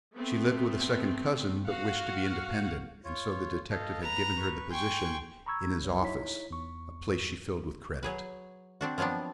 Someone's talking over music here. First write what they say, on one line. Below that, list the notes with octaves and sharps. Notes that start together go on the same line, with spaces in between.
She lived with a second cousin, but wished to be independent and so the detective had given her the position, in his office, a place she filled with credit.
A3 B3 C4
F#4 F5 F#5
F4 C#5
A4 D#5 F5
B4 A#5
B4 C#6
G5 G#5 C6 C#6 G6
A#5 B5 C#6 E6 G#6
C2 F#3
D#4 E4 C#5 B6
E2 C#6
F#3 G#4 B4
C4 D4 F#4
F3 F#3 B3 C4 D4